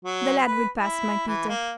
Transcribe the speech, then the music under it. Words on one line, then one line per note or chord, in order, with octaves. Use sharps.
'The lad will pass, my Peter.
F#3
B4
E4
E3
A#3